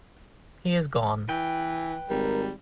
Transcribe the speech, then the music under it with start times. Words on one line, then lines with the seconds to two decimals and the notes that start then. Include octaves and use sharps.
He is gone.
1.29 E3 B4 G5
2.10 G#1 G3 A#4